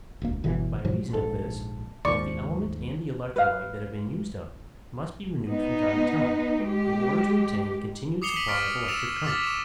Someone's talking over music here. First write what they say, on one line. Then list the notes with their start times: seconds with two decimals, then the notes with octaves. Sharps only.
By reason of this, both the element and the electrolyte that have been used up must be renewed from time to time, in order to obtain a continued supply of electric current.
0.22 E1 D2 A#3
0.44 G1 B2 D3 E3
0.85 G#2 B2 F3 F#3
1.13 A#1 G#2 A4
2.05 D#2 G#2 F3 D5 C#6
3.36 B4 F5
5.46 B3 D#4
6.65 G#3 G4
8.22 D6 D#6 C7 C#7 F7 G7
8.36 B6 D#7 F7 F#7
8.48 C#6 F6 A6 B6 D7 F#7
8.88 E6 A6 B6 D7 E7 F7
9.25 D6 F6 A6 B6
9.44 C#6 E7